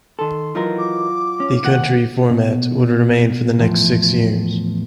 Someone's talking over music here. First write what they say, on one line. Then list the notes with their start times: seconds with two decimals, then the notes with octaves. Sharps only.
The country format would remain for the next six years.
0.19 D#3 A4 C6
0.55 E3 F#3 D#4 F4 A#4
0.78 D6
1.40 C#4
1.64 D#2 F#5
2.31 B2
3.59 E2 A2 F3